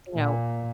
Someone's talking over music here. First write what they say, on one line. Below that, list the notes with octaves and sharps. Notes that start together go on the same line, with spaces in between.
you know,
A#2